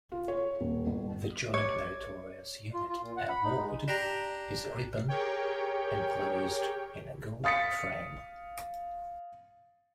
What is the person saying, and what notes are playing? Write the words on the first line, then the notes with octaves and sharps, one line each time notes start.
The Joint Meritorious Unit Award is a ribbon, enclosed in a gold frame.
F4
C#5
D#1
G1
C#5 D5
F4
F4
A#2
F#5
B5
D#4
G#3
D4 G4 A#5
G4 G#4 A#4 C#5 G5
F5 D#6 A6 B6 C#7